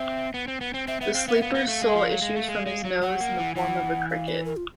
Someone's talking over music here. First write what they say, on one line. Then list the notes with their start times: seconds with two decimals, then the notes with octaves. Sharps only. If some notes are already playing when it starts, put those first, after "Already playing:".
The sleeper's soul issues from his nose in the form of a cricket.
Already playing: C4 E5
0.34 B3
0.48 C4
0.61 B3
0.74 C4
0.88 C4 E5
1.01 B3 E5
1.14 C4 F5
1.28 B3 F5
1.35 E5
1.41 B3 F5
1.55 B3
1.68 A3
1.82 G#3
1.95 F3
2.09 F#3
2.22 G#3
2.36 A3
2.48 G#3
2.66 G#3
2.85 F#3
3.02 F#3 F#5
3.20 A#3
3.38 E3
3.56 E3 F#5
4.10 F5
4.28 B4
4.46 A#4
4.57 F4